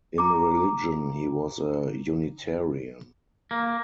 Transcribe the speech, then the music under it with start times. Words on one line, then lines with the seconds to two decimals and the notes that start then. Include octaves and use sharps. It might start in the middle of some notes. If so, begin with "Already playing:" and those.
In religion, he was a Unitarian.
0.18 A#5 D6
3.51 A#3